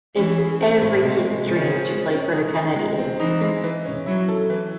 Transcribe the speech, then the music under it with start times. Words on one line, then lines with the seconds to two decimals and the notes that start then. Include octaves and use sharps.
It's every kid's dream to play for the Canadiens.
0.16 E3 C#4
0.38 G#4
0.60 C4
0.81 A2
1.03 C3 G#3
1.25 G#3
1.46 C#3 G#3
1.68 C4
1.90 G#3
2.12 C#4
2.33 D#4
2.55 D#4
2.76 G#3
2.98 C4
3.19 E3 D#4
3.41 G#3
3.64 E3
3.86 C#4
4.06 F#3 E4
4.28 A4
4.50 E3